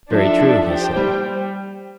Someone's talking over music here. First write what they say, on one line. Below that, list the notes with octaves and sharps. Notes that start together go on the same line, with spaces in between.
Very true, he said.
F3 D4 A4 E5
F3
G4 C5 G5
G3